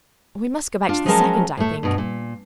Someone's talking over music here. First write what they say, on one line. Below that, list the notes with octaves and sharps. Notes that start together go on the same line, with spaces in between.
'We must go back to the second, I think.
D4 F4
F3 F#3 G#3 C#4 A#4 A5
A2 A3
G2 B2
A#2